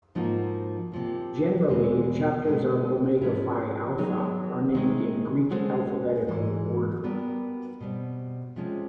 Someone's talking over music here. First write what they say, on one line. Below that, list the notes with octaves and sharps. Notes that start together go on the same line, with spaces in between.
Generally, chapters of Omega Phi Alpha are named in Greek alphabetical order.
G#2 F3 A#3 D#4 F#4
C3 F3 A#3
E2 B2 G#3 C4
B2 G#3 B3 E4 G#4
G#2 F3 G#3 C#4 E4
D#3 F#3 B3 D#4 G#4
C3 D#3 G#3
G#3 C#4 F#4 A4 C5
G#2 E3 G#3
G3 B3 D4 F#4 A#4
B2 G3 C4
C3 F3 G#3 C#4